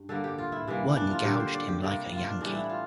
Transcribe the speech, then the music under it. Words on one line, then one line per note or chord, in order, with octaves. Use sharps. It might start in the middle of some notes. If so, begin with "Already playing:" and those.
One gouged him like a Yankee.
Already playing: G2
D3 G3 A#3 A4
G4
F4
E4
C3 E3 G3 A#3
D4
F4
D3 G3 A#3 G4
C5
D5
G4
C3 G3 A#3
F4
D4
A2 E3 G3 D4
E4
F4